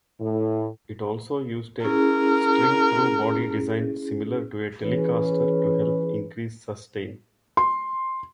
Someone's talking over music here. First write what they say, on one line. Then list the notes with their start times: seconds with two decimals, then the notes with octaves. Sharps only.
It also used a string-through-body design similar to a Telecaster to help increase sustain.
0.20 A2
1.84 C#4 E4 G#4 A#4
4.83 E3 C#4 G#4 B4
7.57 C6